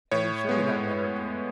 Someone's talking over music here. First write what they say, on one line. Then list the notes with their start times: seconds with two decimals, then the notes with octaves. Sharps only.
Annie, show me that letter again.'
0.12 A2 C#5
0.49 G#3 B3